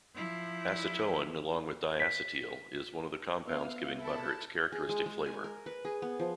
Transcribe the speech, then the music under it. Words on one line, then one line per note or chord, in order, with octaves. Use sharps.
Acetoin, along with diacetyl, is one of the compounds giving butter its characteristic flavor.
F3 E4
B6
B3 E5 F5
E4 A4 A5
G#4
G#3
G#3
G#5
A#4
B4
G#4
B3
F3